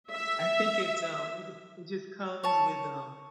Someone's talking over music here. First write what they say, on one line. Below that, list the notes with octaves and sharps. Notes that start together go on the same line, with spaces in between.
I think it's, um, it d it just comes with, um
E5
C#5 A5